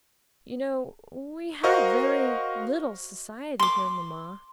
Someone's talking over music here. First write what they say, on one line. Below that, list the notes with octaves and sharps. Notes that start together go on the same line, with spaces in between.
'You know, we have very little society here, mamma.
F#4 A#4 C5 D#5 F5 C#6
C6 D6